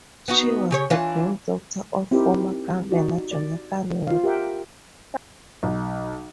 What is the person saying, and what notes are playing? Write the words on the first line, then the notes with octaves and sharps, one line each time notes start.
She was the granddaughter of former Governor Jonathan Worth.
B3 D#4 F#4
C#3 G4 C#5
E3 D4 F4
C4 D#4 E4 G4 A#4
D#4 F#4 D5
D5
F4 C5 F5
G4 A#4 E5 F#5 G5
B1